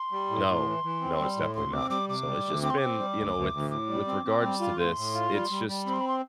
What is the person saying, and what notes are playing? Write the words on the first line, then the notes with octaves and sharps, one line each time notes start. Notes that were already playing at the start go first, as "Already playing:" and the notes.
No. No. It's definitely not. So it's just been you know, with with regards to this, it's just,
Already playing: C6
G3
A2
A2
E3
E3
C4
G3
A2
D2 C6
C4 D6
G3 D6
C3 D6
G3
D2
C4 D6
C6
C4 D6
G3
D2
D2
D2
A2 D6
G3
C4
C4
G3
F4
A2 C6
A2
F4
G3
G3
G3
C4 B5
C6
B5
C6